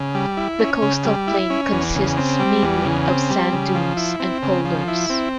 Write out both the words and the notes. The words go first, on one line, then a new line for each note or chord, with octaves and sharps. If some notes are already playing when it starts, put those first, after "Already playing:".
The coastal plain consists mainly of sand dunes and polders.
Already playing: C#3
G3
E4
C#4
C#3
G3
E4
C#4
E2
C#3
C4
G3
E2
C#3
C4
G3
C#3
F3
E4
C4
C#3
F3
E4
C4